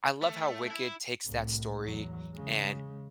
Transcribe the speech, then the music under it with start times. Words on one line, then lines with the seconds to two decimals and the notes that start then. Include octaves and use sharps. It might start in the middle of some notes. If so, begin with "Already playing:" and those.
I love how Wicked takes that story and
0.22 A3
0.71 E4
1.26 C2 A2
1.82 E2 F#3
2.33 C#3 G#3